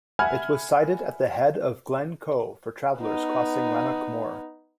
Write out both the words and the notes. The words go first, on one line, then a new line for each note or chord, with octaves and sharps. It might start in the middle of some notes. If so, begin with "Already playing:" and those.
It was sited at the head of Glen Coe for travelers crossing Rannoch Moor.
E5 F#5 G#5 B5 F6 G#6
B3 D#4